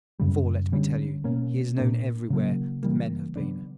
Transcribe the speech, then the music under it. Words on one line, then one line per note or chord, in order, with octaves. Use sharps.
For, let me tell you, he is known everywhere that men have been.
F#2 C#3 G3
D3 G3 C#4
B2 A#3 C#4
A#2 A#3 D4
C#3 F#3 A#3
C#3 E3 G3 A#3
C#3 F#3 B3 D4